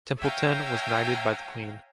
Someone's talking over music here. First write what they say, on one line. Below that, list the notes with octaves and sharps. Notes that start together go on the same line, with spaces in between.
Templeton was knighted by the Queen.
C#5 E5 F5 G5 G#5 A#5